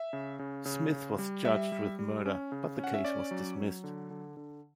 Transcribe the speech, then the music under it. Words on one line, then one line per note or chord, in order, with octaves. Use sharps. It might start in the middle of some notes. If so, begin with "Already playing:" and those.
Smith was charged with murder, but the case was dismissed.
Already playing: E5
C#3
C#3
C#3
C#3
G3
G3 E5
G3
G3
C#4
C#3
C#4
F#5
E5
C#4 D5
F#3
F#3
D3
D3
D3